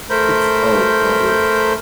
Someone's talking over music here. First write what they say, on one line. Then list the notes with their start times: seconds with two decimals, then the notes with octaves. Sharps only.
It's our problem.
0.10 A3 A#4 C5 B5 G6